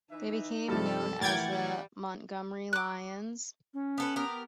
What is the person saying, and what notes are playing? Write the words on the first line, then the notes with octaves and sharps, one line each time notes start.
They became known as the Montgomery Lions.
E3 D#4 E5
G2 C3 F3 A4
A2 E3 G4 A#4 F#5 G5 G#6 A6
G3
D6 F#6
C#4
B3 A4 B4
B3 G4 A#4